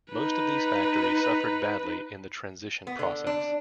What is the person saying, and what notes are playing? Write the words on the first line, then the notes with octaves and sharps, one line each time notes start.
Most of these factories suffered badly in the transition process.
D#4 B4
B3
D3
D4